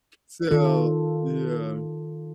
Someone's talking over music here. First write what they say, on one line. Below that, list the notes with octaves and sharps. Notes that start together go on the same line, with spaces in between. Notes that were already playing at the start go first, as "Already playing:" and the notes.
So, yeah.
D#3 F4 A4